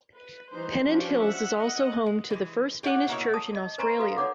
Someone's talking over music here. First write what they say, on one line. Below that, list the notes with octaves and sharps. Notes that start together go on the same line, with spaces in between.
Pennant Hills is also home to the first Danish Church in Australia.
B4
E3 G3 D#4 C5
F3 C#4 D4 F#4 G4
E5 F#5
D#5 F#5
G#3
E3 G#3
G4 C#5 D5 F5 F#5
B2 A#3 E4 C#5
A5 D#6
D#5
B4 C5 G#5 A#5 C6 C#6
F#4 A4 B4 F5
D#4 C#5 D5 F#5 D6